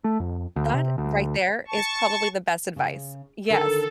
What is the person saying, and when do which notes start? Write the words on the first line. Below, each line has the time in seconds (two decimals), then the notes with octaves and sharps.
That right there, is probably the best advice. Yes.
0.04 A3
0.20 F2
0.56 D2
0.74 C3
0.98 D2
1.67 A5 C#6
2.76 C#3
3.50 D3 D#3 A4 A#4